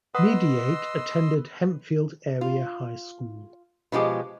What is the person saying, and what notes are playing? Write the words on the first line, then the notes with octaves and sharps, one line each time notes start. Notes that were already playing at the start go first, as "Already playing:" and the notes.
Mediate attended Hempfield Area High School.
B4 D#5 F#5 C6 D#6 E6
F4
B2 F3 G#3 G4